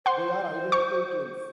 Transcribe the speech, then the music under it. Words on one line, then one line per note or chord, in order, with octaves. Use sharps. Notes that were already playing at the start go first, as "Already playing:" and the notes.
They are identical twins.
C5 F#5 C6
C#6